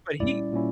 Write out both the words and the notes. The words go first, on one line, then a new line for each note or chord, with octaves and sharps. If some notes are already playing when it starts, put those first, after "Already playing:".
But he
A#2 G3 C#4 E4 D5
A#2 G3 C#4 E4